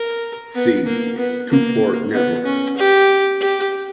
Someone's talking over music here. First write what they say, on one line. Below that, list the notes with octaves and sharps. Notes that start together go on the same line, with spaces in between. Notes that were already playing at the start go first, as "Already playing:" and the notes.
"See" Two-port networks.
Already playing: A#4
B3
A#3
B3
A#3
B3
C#4
G4
G4